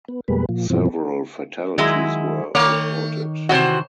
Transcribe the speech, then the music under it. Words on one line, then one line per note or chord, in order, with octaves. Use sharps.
Several fatalities were reported.
B3
F2 B2 G3 G#3 A#3 B4
A#2 F3
G2 B2 E3 F3 C4
D#3 F#3 G#3 E4
D#3 A3 C#5
C3 E3 F#4 C5 D#5